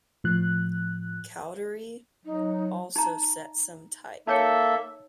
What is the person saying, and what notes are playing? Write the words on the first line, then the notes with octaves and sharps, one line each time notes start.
Cowdery also set some type.
A2 F3 F#6
F#3 D#4
D#4 A#5
A#3 D#4 A4 C#5 E5 G5